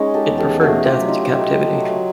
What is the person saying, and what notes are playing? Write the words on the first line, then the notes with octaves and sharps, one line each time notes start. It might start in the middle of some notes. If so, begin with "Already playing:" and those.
It preferred death to captivity.
Already playing: G#3 C#4 D#4
G4 A4
E2
G4 A4
A3 F#4 G#4
F4 G4
F#3
D#4 F4
A3
F#3